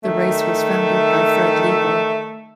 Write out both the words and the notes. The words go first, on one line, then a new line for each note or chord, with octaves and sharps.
The race was founded by Fred Lebow.
D#3 A3 E5